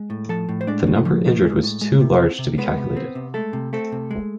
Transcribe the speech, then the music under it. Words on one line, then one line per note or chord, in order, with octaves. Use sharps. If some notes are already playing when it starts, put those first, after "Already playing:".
The number injured was too large to be calculated.
Already playing: G#3
A2
F3 A4 A5
A2
C5
G#3 D4 D5
A2
F3
A2
G#3
A2
G#3
C3
C4
C3
G#3 B3 B4
C3
C4
C3
G#3 A3 A4
C3
A3 C4 A4
C3
G#3